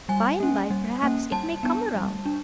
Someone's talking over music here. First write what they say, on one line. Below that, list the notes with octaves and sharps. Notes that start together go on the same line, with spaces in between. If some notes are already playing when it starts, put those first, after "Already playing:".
By-and-by, perhaps, it may come round.
G3 G#5
A#3 C#4
G3
A#3 C#4
G3 A5
B3 D4
G3
D4